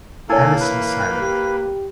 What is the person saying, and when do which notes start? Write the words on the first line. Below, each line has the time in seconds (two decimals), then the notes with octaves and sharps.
Alice was silent.
0.30 D3 A#3 E4 A4 C#5 G#5
0.60 E3 B4
1.21 G4